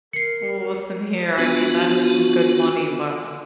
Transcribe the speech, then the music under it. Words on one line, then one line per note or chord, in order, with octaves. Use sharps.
Well, listen here, I mean, that is some good money, but
A#4 C7 C#7
B3 D4 F4 F#4